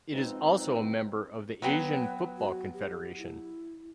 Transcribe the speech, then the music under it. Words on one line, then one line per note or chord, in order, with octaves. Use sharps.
It is also a member of the Asian Football Confederation.
B2 F3 G#3 C4 D#4
F#3 B3 B4 G5
F#4
G4
E4